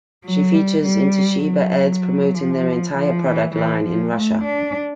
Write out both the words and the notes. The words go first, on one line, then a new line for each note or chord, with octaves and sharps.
She features in Toshiba ads promoting their entire product line in Russia.
F#3
G3
G3
F#3
F3
F3
E3
E3
F3
A3
D4